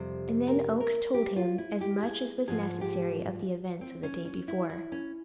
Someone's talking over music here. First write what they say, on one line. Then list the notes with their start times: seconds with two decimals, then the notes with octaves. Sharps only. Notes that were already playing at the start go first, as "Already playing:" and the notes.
And then Oakes told him as much as was necessary of the events of the day before.
Already playing: F2 C3 G3 C5
0.47 A#4
0.80 A#4
1.14 G4
1.36 F4
1.58 E4
1.81 G4
2.03 G#4
2.47 G#2 F3 G#3 G#4
2.81 G4
3.81 C4
4.03 C#4
4.25 C#4
4.48 E4
4.69 E4
4.92 C#4